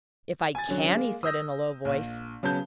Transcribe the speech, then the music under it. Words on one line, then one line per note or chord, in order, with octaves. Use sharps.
"If I CAN!" he said, in a low voice.
G#5 A6
D3 F#3 C#4
G#3 A#3
D#6 E6 G6 A#6
A#1
C#3 F#3 B3 A5 G6